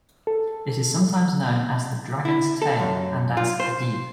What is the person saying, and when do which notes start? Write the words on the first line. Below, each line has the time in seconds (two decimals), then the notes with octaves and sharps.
It is sometimes known as the "Dragon's Tail" and as "Adib".
0.27 A4
2.25 E4
2.62 A4
2.80 F#2
3.37 F4
3.60 C5